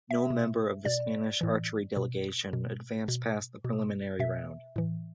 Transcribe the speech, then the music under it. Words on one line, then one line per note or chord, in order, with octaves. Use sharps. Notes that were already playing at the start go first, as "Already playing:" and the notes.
No member of the Spanish archery delegation advanced past the preliminary round.
E5
B2
B2 D5
A2 E3
B2
B2
B2
B2
B2 E5
A2 E3